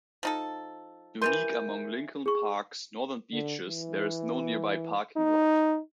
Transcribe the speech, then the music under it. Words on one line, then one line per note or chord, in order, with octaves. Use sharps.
Unique among Lincoln Park's northern beaches there is no nearby parking lot.
F3 D#4 A4
E3 G3 A#4 C6 G6 D#7
G#4 C#6
D3
E3
D#4